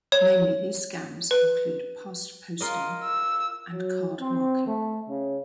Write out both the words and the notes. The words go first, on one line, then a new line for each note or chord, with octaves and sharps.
Namely, these scams include pastposting and card marking.
C#5
B4
F4 A#4 D#5
E6
F#3
C4
A3
C#3